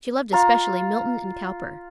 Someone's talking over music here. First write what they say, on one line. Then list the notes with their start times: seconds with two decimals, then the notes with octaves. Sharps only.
She loved especially Milton and Cowper.
0.33 F4 A#5